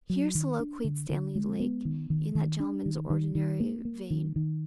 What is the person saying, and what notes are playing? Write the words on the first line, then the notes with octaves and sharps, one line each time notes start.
Here soliloquised Stanley Lake in that gentleman's ordinary vein.
F#3
D#3
D4
D3
D3
G#3
B3
D#3
D#3
D#3
D4
D#3
D#3
D#3
A#3
A#3
D#3
D#3